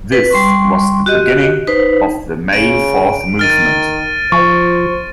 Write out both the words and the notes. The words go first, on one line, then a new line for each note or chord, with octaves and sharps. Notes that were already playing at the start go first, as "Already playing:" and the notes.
This was the beginning of the May Fourth Movement.
B4
G3 C6 C#6
F#4 G4 D#5
D#4 B4 C5
C#3 D7
D#3 F6 A6 D#7
F3 C5 C#6